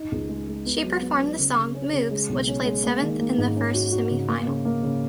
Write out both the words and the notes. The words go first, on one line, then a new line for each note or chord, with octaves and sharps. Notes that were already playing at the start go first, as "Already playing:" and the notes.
She performed the song "Moves" which placed seventh in the first semi final.
Already playing: D#4
C#2
G#3
G#3
B3
F#3
B3
B3
C#3
C#3
C#4
C#3
G#3
B1
C#4
G#3
A#3
D#3
A#3
G#2
C#4
F#4
F#4
C#3
A#3
C#3
A#3
C#3